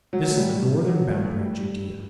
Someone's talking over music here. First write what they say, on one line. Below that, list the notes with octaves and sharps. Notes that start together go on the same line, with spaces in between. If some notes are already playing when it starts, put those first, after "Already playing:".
This is the northern boundary of Judea.
F#3
A3
G3
F#3
A3
A3
G3